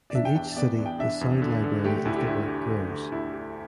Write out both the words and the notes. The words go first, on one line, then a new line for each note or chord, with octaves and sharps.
In each city the sound library of the work grows.
D5
D4 E5
G5
E2 G5
B3 D5
E2
G5
D4 E5
E2
D3
D3
A3 G4
G4
D2 E4
G4
D2 E4
G4
D3
D3
D2 E4
G4